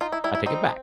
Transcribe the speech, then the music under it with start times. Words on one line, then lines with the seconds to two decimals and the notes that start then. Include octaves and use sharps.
I take it back."
0.01 D#4 F4
0.12 E4
0.24 G3 E4
0.35 E4
0.46 C4 D#4